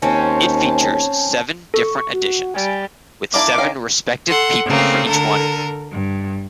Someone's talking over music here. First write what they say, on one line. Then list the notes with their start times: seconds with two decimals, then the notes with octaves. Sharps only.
It features seven different editions, with seven respective people for each one.
0.02 D#2 C4 C#4 A5
1.74 A4 C#6
2.13 F#4
2.54 G3 G#5
3.34 A#3 D4 E4 D6
3.58 D#3 C#4 F5
4.29 A4 F#5 C6
4.66 C#3 A3 A#3 C4
5.07 D3 A4 A#4
5.93 G2